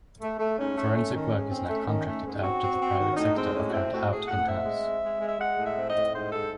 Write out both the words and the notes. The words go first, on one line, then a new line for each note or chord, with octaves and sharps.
Forensic work is now contracted out to the private sector or carried out in-house.
A3
A3
G#2 C#4
A3
A3 C#4
D#3
G#2
C4
A3
D#3
A3
G#2
C4 F#4
C4
C4
D#3
C#4
A2 D#4
G#3 C4
A2 C#4
F#4
C4 E4
A2 F#4
A2 G#4
A2 F#5
C4 E5
G#3
C4
G#3
G#3
E5
G#3 F#5
A2
E5
C4
D#5
A2
G#2 C5
G#2 A4